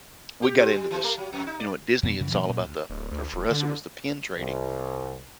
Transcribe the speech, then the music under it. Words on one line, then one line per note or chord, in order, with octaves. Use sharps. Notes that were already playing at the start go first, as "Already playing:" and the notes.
we got into this. You know, at Disney, it's all about the or for us, it was the pin trading,
G4
C4
G3
E3
A3
F#3
F2
D#4
D5
F2 B2
F#2 C#3 E3 F3
A#2 E3 F#3 B3
A#2 A#3
D2
D1
D2
D#1
D3
C2